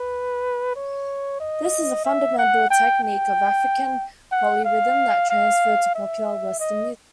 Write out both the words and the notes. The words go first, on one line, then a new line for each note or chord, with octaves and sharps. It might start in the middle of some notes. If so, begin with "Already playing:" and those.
This is a fundamental technique of African polyrhythm that transferred to popular western music.
Already playing: B4
C#5
D#5
E5
F#5
G5
G5
F#5
F5
F5
E5
D#5